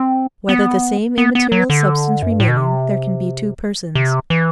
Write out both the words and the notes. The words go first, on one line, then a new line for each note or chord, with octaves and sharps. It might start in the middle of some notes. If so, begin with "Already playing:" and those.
Whether, the same immaterial Substance remaining, there can be two Persons.
Already playing: C4
B3
B3
B3
F#3
D3
F#2
G2
A2
B2
C3
C3
E3